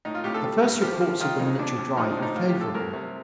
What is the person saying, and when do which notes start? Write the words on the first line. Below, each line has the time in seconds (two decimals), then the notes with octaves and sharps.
The first reports of the military drive were favorable.
0.05 A2 D#4
0.14 F4
0.24 A2 G4
0.34 A4
0.43 G3
0.62 G2
0.82 F3 G4
1.01 F3
1.20 D#3 F4
1.39 F2 D#4
1.59 D#2 D4
1.78 D#2
1.97 F3 D#4
2.10 D4
2.17 A2
2.22 D#4
2.35 A2 F4
2.48 G4
2.55 A2
2.61 A4
2.74 C2 A#4
2.93 C3